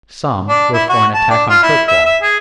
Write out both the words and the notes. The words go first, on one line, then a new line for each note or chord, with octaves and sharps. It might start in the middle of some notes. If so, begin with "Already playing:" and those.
Some were for an attack on Kirkwall.
D4
E4
F#4
A5
D4
F4
E4
E5
E5
G#4